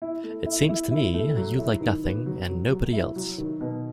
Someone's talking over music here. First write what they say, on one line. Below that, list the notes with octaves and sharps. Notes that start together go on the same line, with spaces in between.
It seems to me you like nothing and nobody else.
E4
A3
E4
E4
E4
A3
F#3
E4
D#3
B3
F#3
F#3
F#3
E4
F#3
D#3
B2